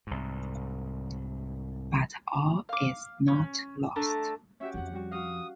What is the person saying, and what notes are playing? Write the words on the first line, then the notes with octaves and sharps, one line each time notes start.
But all is not lost.
C2 G#2
F5 D6
C#4
A3 D4 A#5
C#4 F#4 G4 E5
F2 F3 F#5
G3 F#4
F#4 F5 D#6